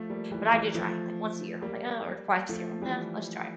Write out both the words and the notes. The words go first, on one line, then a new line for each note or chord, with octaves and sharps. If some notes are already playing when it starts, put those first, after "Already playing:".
But I do try, like once a year, I'm like uh, or twice a year, I'm "Eh, let's try it."
Already playing: F3 A3
G3 A#3
E3 G3
E3 G3
F3 A3
G3 A#3
F3 A3
E3 G3